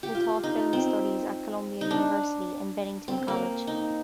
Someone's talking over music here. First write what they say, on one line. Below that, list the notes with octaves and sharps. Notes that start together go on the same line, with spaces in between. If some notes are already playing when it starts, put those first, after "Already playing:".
He taught film studies at Columbia University and Bennington College.
G4
F4
D#4
C4
D#4
D4
C4
A#3
D#4